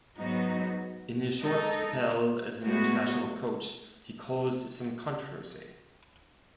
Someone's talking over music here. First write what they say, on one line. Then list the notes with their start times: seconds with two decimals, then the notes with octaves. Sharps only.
In his short spell as an international coach, he caused some controversy.
0.17 G#2 F#3 B3 D#4 F#4
1.40 G#3 D#4 A4
2.64 A2 G#3 B3 F#4